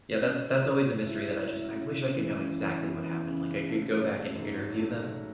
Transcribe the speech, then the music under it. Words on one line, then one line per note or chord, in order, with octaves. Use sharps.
yeah, that's that's always a mystery that I just I wish I could know exactly what happened, like, I could go back and interview them.
C#3
C#4
F#3
F#3
E4
F#3
E4
C#3
C#3
E3
C#3
E3
B3
E3
C#3
C#3
A3
F#3
A3
G#2
F#3
A3
F#3